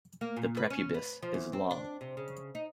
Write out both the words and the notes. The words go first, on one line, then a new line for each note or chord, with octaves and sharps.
The prepubis is long.
A#3
A#2
B4
C#4
B4
F3
E2
C4
D4
C3
C#3
D#4